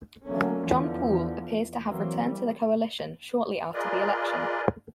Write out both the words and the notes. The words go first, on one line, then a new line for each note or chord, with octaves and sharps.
John Poole appears to have returned to the coalition shortly after the election.
D3 F#3 A3 A#3 C#4
E2 D3 E3 F3
E3 F#3 A#3 C4
G3
F4 G#4 A#4 B4 D5 D#5